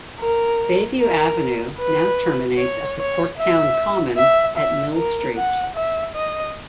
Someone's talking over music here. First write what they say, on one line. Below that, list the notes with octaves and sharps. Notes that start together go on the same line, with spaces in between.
Bayview Avenue now terminates at the Corktown Common at Mill Street.
A#4
A#4
B4
C#5
C#5
E5
E5
E5
A#4
F#5
E5
D#5